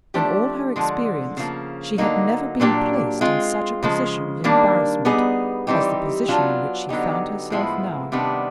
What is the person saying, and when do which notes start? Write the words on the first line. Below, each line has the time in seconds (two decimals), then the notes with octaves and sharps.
In all her experience she had never been placed in such a position of embarrassment as the position in which she found herself now.
0.14 F3 A3 D4 G4
0.76 D3 F3 G#3
1.37 C#3 F3 A#3
1.98 D3 F#3 A#3 D#4
2.60 A#2 F#3 A#3 D4 G4
3.21 G#3 C4 F4
3.83 C#3 F3 G#3
4.44 D#3 G3 A#3 D4
5.05 G3 B3 D#4 G#4
5.67 E3 G3 C4 D#4 G4
6.28 F#3 B3 D4 F4
6.89 D3 F#3 B3 D#4 G4
7.50 A2 F3 G#3 B3 E4
8.12 C3 D#3 G3 B3 D4